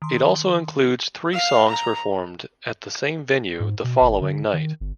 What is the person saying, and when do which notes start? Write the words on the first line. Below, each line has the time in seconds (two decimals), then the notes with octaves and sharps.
It also includes three songs performed at the same venue the following night.
0.02 D#3 C6
1.32 F5
1.68 A#5
3.60 G#2
3.84 B2
4.01 G1
4.21 D3
4.53 D#3
4.80 G1